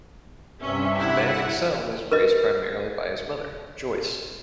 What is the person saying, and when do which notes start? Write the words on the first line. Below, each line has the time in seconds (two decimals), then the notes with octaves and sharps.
Van Exel was raised primarily by his mother, Joyce.
0.60 G2 C3 C#4 E5
0.98 E4 F#5
2.12 A#4 B4 D#5